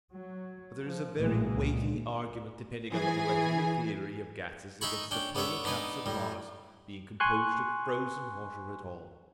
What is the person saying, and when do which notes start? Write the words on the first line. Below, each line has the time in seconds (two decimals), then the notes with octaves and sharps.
But there is a very weighty argument depending on the molecular theory of gases against the polar caps of Mars being composed of frozen water at all.
0.12 F#3
0.83 F3
1.17 A#1 F#2 A2 E3 G#3 A#3
1.54 C#2 A#2
2.90 E3 G#4 G#5
4.81 D#4 E5 F#5 G#5 B5 C#6
5.11 C#4 D4 G5
5.35 B3 D4 A4 C#5 E5
5.64 B3 D4 D#4 B4 G#5
6.06 A2 G3
7.20 G#5 C6 C#6 F#6